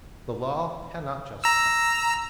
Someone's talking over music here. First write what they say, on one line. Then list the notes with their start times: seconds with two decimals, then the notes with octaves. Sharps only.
The Law cannot justify.
1.44 A#5 E6